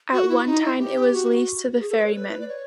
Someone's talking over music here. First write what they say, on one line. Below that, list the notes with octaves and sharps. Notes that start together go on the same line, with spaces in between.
At one time it was leased to the ferrymen.
F#4
E4
D#4
E4
G4
F#4
G4
G#4
A4
B4
C#5
B4
D5
C#5